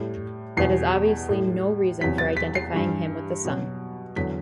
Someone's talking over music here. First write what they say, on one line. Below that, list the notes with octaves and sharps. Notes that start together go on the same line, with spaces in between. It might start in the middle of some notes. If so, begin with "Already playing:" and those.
That is obviously no reason for identifying him with the sun.
Already playing: A2 G3
E2 B2 G3 C7
A2 G3
E2 C3 F#3 B6
A6
B6
C7
G2 E3 G3
B2 F#3
E2 D3 F#3 B6